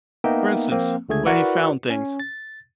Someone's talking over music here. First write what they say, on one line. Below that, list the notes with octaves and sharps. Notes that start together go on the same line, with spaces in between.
For instance, where he found things?
A#3 B3 D#4 E5 G5
F3 A#3 C4
C#2 D3 A3 G#4 G#6
E4 F#4 A#4 B4 D5 F#5
C#4
A6